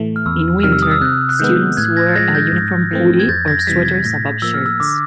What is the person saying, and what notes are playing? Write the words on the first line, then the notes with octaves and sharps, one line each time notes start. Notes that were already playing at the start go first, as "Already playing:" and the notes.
In winter students wear a uniform hoodie or sweaters above shirts.
Already playing: A2 E3 A3
F6
E2 E6
C3 D#3 G3 F6
E6
D#6
E6
C3 F#6
F#6
D#3 G#3 B3 G6
A2 F#6 G#6
G#6 A#6
A6
F3 G#3 G#6 A#6
G6 A6
G#2
E3 A3 C4
G#6
F2 G6 A6
G#6 A#6
A#6
C3 E3 G3 A6 B6
G#6 A#6
A2 G#6 A#6
F3 A#3 E6
F6
E6
D3 D6